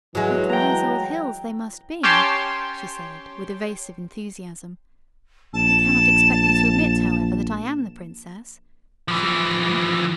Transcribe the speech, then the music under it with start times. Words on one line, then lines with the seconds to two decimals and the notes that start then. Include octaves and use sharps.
"What wise old hills they must be," she said, with evasive enthusiasm. "You cannot expect me to admit, however, that I am the princess," she went on.
0.15 E3 F#3 G#3
0.49 G5 A#5
2.03 C#4 G4 C#5 G5 A5 C6
5.53 A#1 A5
9.08 E3 F3